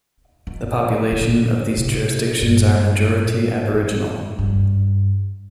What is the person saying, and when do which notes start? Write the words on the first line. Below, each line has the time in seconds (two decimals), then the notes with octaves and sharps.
The population of these jurisdictions are majority aboriginal.
0.47 D#3
1.12 D3
1.77 C3
2.42 G2
3.08 G#2
3.73 F#2
4.39 G2